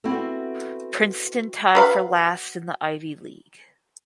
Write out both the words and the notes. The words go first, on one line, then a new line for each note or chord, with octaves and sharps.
Princeton tied for last in the Ivy League.
B3 C4 E4 F#4 A4
F#3 B4 F5